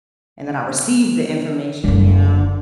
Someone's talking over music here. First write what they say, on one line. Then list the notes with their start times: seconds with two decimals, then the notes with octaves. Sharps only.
and that I received the information, you know,
1.84 F#1 A#3